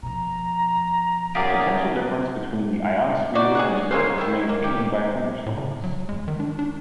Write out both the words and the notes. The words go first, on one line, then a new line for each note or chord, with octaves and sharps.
The potential difference between the ionosphere and the Earth is maintained by thunderstorms.
B2 F3 A#5
F#2 G4 G#4 D5 F5
D#4 F#4 D5
G#4 C#5 F#5
G#3 A#3 C#4 C5
D#3 E4
A#3
G4
A2
C#3
F#3
G#3
D#3
D4
D4